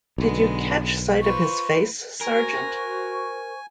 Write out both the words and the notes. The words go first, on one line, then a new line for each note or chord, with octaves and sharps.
Did you catch sight of his face, Sergeant?
B1 D3 G#3 B3
F4 B4 C5 C#6
F#4 A#4 C5 G#5 C#6